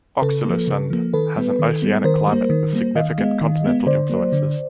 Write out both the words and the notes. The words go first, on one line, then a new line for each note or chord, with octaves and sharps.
Oxelösund has an oceanic climate with significant continental influences.
C#3 A4 B4
F3 A#3
C#3
F3 A#3
D#3 A4 B4
G3 B3
D#3
G3 B3
D#3 A#4 C5
G3 A#3
D#3
G3 A#3
D#3 D#5 F5
G#3 B3
D#3
G#3 B3
D3 C5 D5
F#3 A#3
D3